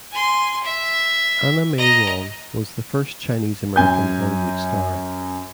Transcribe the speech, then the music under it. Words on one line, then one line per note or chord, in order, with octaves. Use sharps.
Anna May Wong was the first Chinese American Hollywood star.
G#5 C6
E5
D#5 A#5
F#2 G#5 G6